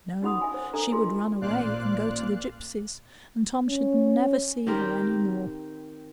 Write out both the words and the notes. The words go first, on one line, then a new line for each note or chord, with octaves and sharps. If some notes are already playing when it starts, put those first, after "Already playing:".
No! she would run away and go to the gypsies, and Tom should never see her any more.
C#4 D#4 F#4 F#5 B5 D#6
E5 G#5
C5
D4 A4 D#5 A#5
F4 F#4 G#4 A#4 C6
A1 A#2 C5 D5 F5 F#6
C#4
D#3 C4 G4 A#4